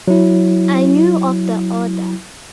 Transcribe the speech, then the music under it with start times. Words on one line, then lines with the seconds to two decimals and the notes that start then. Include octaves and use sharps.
I knew of the order.
0.08 F#3 E4